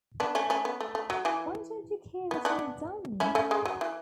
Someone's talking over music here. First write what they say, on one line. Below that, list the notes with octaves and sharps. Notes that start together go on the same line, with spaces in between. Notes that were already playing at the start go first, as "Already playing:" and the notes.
Why don't you care what I've done?
B3 D4
A3 C#4
A3 C#4
B3
A3
A3
F#3
E3
B3
B3 D4
C#4 E4
A3 C#4
G#3
F#3
E3